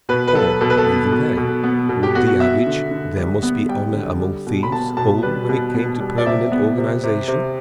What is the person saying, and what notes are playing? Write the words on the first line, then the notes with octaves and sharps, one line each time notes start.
Or, even there, would the adage, "There must be honor among thieves," hold, when it came to permanent organization?
B2 B4
B4
F#3 A4
B2 A4
B4
A4
B3
B2
B2
B3
B2
G4
B3 F#4
F#4
B3 E5
D3
D3
G3
B3
G3 G5
D3
G3
B2
B5
B3 A5
B2 A5
G3 B4
B2
B3
G3
D5
C3 E5
B3
C3
C3
C3